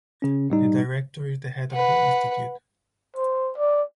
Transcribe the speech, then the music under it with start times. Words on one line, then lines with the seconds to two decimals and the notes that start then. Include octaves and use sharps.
The Director is the head of the institute.
0.22 C#3 C#4
0.50 A2 G3 D#4
1.72 B4 F#5
3.16 C5
3.57 D5